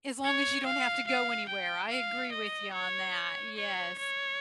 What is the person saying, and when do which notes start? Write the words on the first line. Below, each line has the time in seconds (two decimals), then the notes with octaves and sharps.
As long as you don't have to go anywhere, I agree with you on that, yes.
0.25 C#5
0.66 F5
1.07 F5
1.49 G5
1.91 F5
2.33 D#5
2.74 C#5
3.57 C#5
3.99 C#5